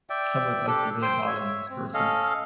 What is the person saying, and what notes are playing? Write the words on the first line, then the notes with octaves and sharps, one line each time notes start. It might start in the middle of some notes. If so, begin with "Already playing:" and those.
Someone must be really bothering this person.
D5 E5 G5
D4 G4 A4
C5 G5 C6 E6
C#5 E5
C4
C#4 A4 D#5 F5